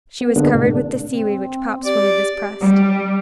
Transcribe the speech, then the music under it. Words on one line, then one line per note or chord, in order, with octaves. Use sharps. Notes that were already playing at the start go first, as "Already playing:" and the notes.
She was covered with the seaweed which pops when it is pressed.
B3
D3 G#3 A#3 B3 D4
A2 C3
D4
C4
G4 D5
G3